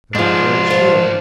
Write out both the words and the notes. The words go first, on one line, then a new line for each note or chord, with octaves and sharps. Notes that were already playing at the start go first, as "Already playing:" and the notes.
"Very, very sure!"
G#2 F3 D4 F4
C5